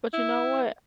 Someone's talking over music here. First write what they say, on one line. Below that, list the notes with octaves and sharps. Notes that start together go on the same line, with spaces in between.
But, you know what?
E4